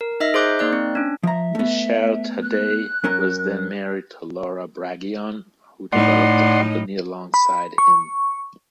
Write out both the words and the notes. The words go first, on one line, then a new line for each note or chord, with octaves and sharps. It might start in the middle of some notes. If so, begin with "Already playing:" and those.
Michele Taddei was then married to Laura Braggion who developed the company alongside him.
A#4
D#4 D#5 E5 F6 A#6
G#4 C5 C6 D6 F#6 G6
A#3 D#4 D5 F#6
C4
C#4 D4
F3 E5 A#5
A3 B3
F#6
F#2 C#4 A#4
A2 D#4 D5 F#5 C6
B5
C#6